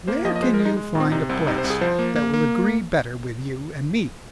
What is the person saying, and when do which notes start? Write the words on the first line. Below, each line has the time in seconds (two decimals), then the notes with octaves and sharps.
Where can you find a place that will agree better with you and me?
0.08 A#3 C5
0.25 F3 D#5
0.36 D#5
0.42 G#3 C5
0.54 A#4
0.60 G#3
0.65 D#4
0.77 G#3
0.95 A#2
1.00 C4
1.12 C3 D#4
1.29 C2 C4
1.47 C3 D#4
1.58 C5
1.64 C2
1.70 G#4
1.81 F3 C5
1.99 A#3
2.16 A#3
2.34 A#3